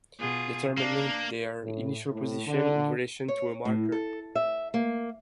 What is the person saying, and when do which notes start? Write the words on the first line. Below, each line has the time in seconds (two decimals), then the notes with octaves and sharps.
Determining their initial position in relation to a marker.
0.19 B2 F4 G#4
0.78 A#3 D4
1.63 A2
2.12 A2
2.47 D3
3.28 C#5
3.65 A2
3.92 A4
4.35 E5
4.74 A#3